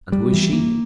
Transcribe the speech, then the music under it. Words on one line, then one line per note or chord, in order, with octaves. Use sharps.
"And who is she?"
G3
E3
A#3